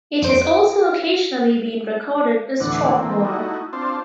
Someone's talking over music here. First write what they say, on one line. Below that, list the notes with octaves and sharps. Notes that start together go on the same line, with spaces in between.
It has also occasionally been recorded as "Chalkmore".
F2 C5 D7
D2 A2 E3 D4 F#5
E3 A3 A#3 C4
A3 D#4 E4 F#4
C4 D4 F4 C5 A5